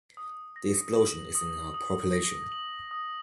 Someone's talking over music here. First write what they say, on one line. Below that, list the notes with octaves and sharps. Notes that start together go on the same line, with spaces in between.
The explosion is in our population.
D#6
A#6
F#7
D#6
D#6
A#6
F#7
D#6